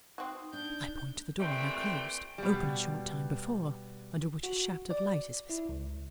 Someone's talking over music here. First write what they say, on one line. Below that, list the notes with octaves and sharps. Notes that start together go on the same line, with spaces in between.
I point to the door, now closed, open a short time before, under which a shaft of light is visible.
C4 D#4 F#4
D4 G6
A#2 E3 G3 A3 C4 G5
B2 G3
F#4
D5
E4
C#2